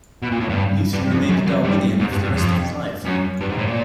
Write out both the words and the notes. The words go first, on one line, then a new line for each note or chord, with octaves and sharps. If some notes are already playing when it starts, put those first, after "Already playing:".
Newton remained a Darwinian for the rest of his life.
B2
A#2
A2
G2
G2
F2
F#2
F#2
G2
G#2
G2
G2
F2
F#2
G2
G#2
A2
A#2